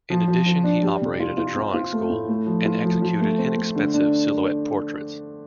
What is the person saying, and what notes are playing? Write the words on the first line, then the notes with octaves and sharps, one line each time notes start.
In addition, he operated a drawing school and executed inexpensive silhouette portraits.
F3
F3
F3
D4
G3
C3
F4
F4
C4
F4
A3
A2
A3
F3
F4
F3
F3
A3
C4
A3
D3
D4